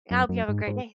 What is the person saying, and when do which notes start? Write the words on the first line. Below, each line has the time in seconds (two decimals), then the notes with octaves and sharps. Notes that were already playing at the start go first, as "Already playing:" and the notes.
I hope you have a great day.
0.11 F#2
0.29 F#2
0.48 G#2
0.67 G#2